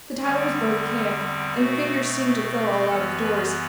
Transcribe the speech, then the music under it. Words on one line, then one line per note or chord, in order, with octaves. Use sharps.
The title was "Boadicea," and the figure seemed to fill all out-of-doors.
E2 D3 G3 C4
B2 A3 C4 F#4
F#2 E3 B3 A4
B4